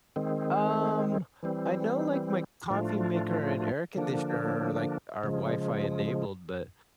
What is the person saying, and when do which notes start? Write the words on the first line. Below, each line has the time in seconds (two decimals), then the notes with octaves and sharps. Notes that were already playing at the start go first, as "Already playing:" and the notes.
Um, I know, like, my coffee maker and air conditioner are, like are Wi-Fi enabled, but
0.16 D#3 G#3 C4
1.43 E3 G3 C4
2.70 A2 F3 A3 D4 F4
3.96 D3 F3 A#3 D4
5.24 C#3 F3 G#3